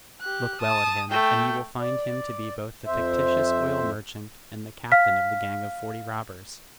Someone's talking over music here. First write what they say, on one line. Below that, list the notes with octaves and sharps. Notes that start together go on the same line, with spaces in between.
Look well at him, and you will find him to be both the fictitious oil merchant, and the captain of the gang of forty robbers.
G4 F#6
A5 D#6
A3 G5
D5
F2 C5 E5
F5 F6 B6